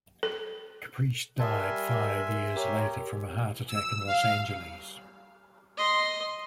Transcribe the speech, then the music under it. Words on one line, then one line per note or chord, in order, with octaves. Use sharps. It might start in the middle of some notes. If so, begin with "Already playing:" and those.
Caprice died five years later from a heart attack in Los Angeles.
A4
G3 A#4 E5 G#5 A5 C6
G4 A#4 C#5
E6
F5
D#5 C6